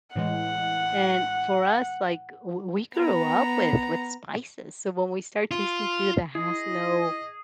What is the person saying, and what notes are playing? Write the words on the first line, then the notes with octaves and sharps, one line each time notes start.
and for us, like, w we grew up with with spices, so when we start tasting food that has no
A2 E3 G#3 F#5
B3 A#5
F4
E4 G#4 D#5